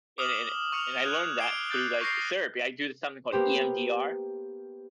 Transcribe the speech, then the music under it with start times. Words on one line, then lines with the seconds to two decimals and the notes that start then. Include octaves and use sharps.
and and and I learned that through, like, therapy. I do something called EMDR,
0.18 D6 D#6 F6 E7 F#7
0.72 C#6 F6 C#7 F7
1.05 C#6 F#6 G#6 F7
1.38 D6 C7 D7 G7
1.70 D6 D#6 F#6 G6 A6 D7
2.01 C#6 G6 A#6 C7
3.32 A#3 B3 G4 C5